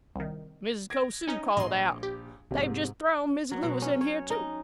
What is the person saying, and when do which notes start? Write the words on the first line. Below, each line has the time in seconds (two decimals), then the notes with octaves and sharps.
Mrs. Cosu called out, "They have just thrown Mrs. Lewis in here, too."
0.16 C2 D#3
0.90 G#6 A#6 D7
1.27 C#4 D#4 D#5
1.57 A#1 D#5 C6
2.03 G4
2.51 A#1 G#2 C3
3.51 F#3
3.63 B2
3.82 C#4
4.01 C#5
4.30 D#4